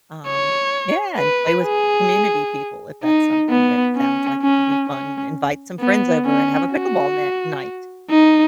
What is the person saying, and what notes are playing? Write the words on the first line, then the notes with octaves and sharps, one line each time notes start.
Um Yeah! And play with community people if that's something that sounds like it would be fun. Invite some friends over and have a pickleball net night.
C#5
B4
G#4
D#4
B3
C#4
C#4
C#4
B3
C#4
F#4
D#4